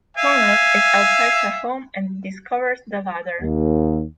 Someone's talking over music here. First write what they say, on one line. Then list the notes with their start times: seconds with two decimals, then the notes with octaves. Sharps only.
Corner is outside her home and discovers the ladder.
0.17 E5 F5 G#5
3.41 D#2